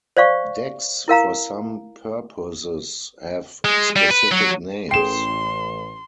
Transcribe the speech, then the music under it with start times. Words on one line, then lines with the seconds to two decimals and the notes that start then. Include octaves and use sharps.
Decks for some purposes have specific names.
0.17 C5 D5 F5 C#6
1.08 E4 A#4 F5 A#5
3.65 G#3
3.96 G3
4.11 B4
4.31 F#3
4.91 A1 G#4 G5 C6 C7 E7